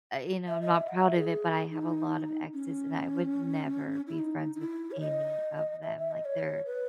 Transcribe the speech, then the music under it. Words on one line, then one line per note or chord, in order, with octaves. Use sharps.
I you know, I'm not proud of it, but I have a lot of exes, and I would never be friends with any of them, like, they're
E5
D#5
E5
F#5
E5
G#4
D#4
C#4
E4
D#4
D#4
E4
C#5
D#5
E5
E5
D#5
C#5
B4